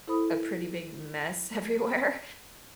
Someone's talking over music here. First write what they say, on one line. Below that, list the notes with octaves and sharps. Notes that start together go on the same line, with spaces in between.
a pretty big mess everywhere,
E4 A4 C5 B5 D#6